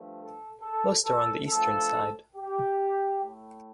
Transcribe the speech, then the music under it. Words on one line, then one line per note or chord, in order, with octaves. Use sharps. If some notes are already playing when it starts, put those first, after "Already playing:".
Most are on the eastern side.
Already playing: G2 F3 A3
A4
A4
A4
G2 F3 A3 A4
G4
A2 A3